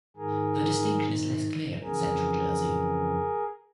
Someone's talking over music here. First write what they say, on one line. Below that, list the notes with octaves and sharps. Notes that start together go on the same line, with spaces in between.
The distinction is less clear in Central Jersey.
G#2 D#3 G#4 A#4
F2 C#3 E3 G#4 A#4